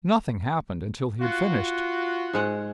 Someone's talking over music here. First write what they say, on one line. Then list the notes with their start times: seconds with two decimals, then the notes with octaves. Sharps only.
Nothing happened until he had finished.
1.21 F4 F#4
2.33 G#2 G#3 F#5